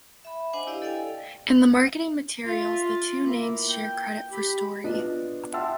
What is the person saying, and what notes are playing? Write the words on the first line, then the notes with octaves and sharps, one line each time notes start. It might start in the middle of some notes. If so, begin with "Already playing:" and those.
In the marketing materials the two names share credit for story.
E5 B5
D4 C5 D#5 F#5 G#5
E4 G4 D5 D#5 F5
A4 D5 D#5 F5 G5 G#5
F4 E5
F4
A#3 E4
G5
G4 B5
B3 D4 F4 D#5
E5 F#5 G5 A5 C6 E6